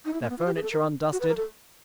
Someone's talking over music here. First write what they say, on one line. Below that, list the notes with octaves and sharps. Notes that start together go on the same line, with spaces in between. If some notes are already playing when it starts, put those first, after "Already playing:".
Their furniture undusted.
D#4
E4
A#3
B3
F4
G4
G#4
A4
A#4
F#4
B4
A#4
A4